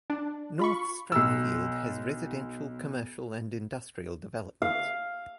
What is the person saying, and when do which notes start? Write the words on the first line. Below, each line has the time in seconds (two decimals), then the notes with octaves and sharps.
North Strathfield has residential, commercial and industrial developments.
0.10 D4
0.59 F4 B5 C#6
1.12 B1 E6
4.62 F5